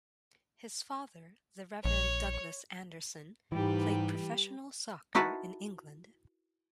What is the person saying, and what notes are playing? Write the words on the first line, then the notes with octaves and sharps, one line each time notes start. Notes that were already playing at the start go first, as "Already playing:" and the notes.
His father, the Reverend Douglas Anderson, played professional soccer in England.
A#1 C#5
G#2 E3 G3 G4 B4
D#4 E4 F#4 A#4 B4 A5